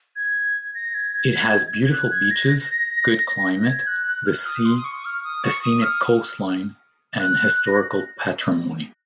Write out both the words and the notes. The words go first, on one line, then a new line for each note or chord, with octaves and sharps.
It has beautiful beaches, good climate, the sea, a scenic coastline, and historical patrimony.
G#6
A#6
G#6
G#6
F#6
G#6
A#6
G#6
F#6
F#6
F6
D#6
C6
D#6
C#6
F6
D#6
C#6
D#6
F6
F#6
A#6